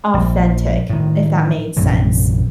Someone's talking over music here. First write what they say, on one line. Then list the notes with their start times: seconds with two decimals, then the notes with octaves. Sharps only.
authentic if that made sense.
0.14 A#1
0.90 A2 D#3
1.77 A#1 F#2 C3 E3